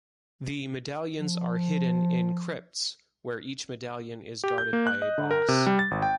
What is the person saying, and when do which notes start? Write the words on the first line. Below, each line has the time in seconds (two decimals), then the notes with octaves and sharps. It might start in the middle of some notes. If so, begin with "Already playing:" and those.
The medallions are hidden in crypts, where each medallion is guarded by a boss.
1.18 F3
4.44 G4
4.58 G6
4.73 A#3
4.87 F#6
5.02 D#5
5.18 D3
5.31 A#4
5.48 C3
5.67 G3
5.79 A6
5.91 G#1
6.02 G5